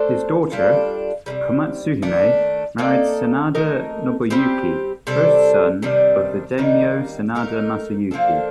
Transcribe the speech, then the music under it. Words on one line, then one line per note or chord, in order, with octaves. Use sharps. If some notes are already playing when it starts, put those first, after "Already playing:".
His daughter, Komatsuhime, married Sanada Nobuyuki, first son of the daimyo Sanada Masayuki.
Already playing: A3 D4 A4 C5
G3 D4 F4 A4
C3 D#3 G3
D#3 A3 D4
A#3 D#4 A4 D5
A3 D#4 A#4
G3 C4 G4
C3 G3 D4 A4
C3 D#3 G3 D4
D#3 G3 A#3 D#4
A3 D#4 A#4
F3 A#3 D4 A4